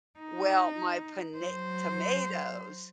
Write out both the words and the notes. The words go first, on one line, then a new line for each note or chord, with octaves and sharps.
Well, my pona tomatoes
D#4
F#3 C5